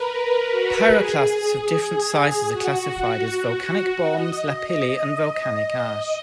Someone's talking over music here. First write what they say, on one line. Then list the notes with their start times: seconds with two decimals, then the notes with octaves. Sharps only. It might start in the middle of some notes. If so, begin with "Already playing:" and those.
Pyroclasts of different sizes are classified as volcanic bombs, lapilli, and volcanic ash.
Already playing: A#4 B4
0.11 A#4
0.51 F#4
0.92 G#4
2.53 F#4
2.93 F#4
3.33 F#4
4.14 D#5
5.75 D#5